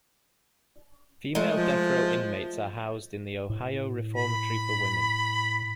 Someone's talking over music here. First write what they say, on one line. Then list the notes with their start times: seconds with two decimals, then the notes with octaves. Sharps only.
Female death row inmates are housed in the Ohio Reformatory for Women.
1.35 G#3 A3
1.56 F3
3.50 A2
4.16 B5